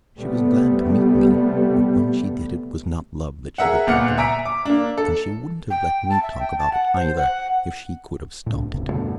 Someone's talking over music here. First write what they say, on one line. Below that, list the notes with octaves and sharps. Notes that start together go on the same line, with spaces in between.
She was glad to meet me, but when she did it was not love that she would talk about, and she wouldn't have let me talk about it either if she could have stopped it.
C3 G3 A3 B3
G#4 A#4 E5 F#5
G1 A#2 F#5 F6 C#7
E5 G#5 A#5 E6 B6 D7
D6
A#3 D4
A4
G5
A5
E5
G5
A5
F#5
C5
F#5
C#2 A2
D1 G1 E2 C3
G2 B2 D3 A3